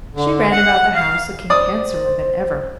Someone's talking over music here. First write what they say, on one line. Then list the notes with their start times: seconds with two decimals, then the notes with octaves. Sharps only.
She ran about the house looking handsomer than ever.
0.15 D3
0.52 F#5
0.95 F5
1.50 C5 D5 D#6